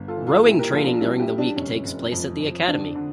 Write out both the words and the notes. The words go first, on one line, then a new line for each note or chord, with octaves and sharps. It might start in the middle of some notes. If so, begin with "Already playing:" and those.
Rowing training during the week takes place at the Academy.
Already playing: G1
F4 A4
E3
F4 A4
A#2 E4 G4
G4 A#4
A#1 F4 A4
D4
G3 C#4 E4
E4 G4
G3
D4
F1 C#4
F1
F2
F2
D3 D4
D3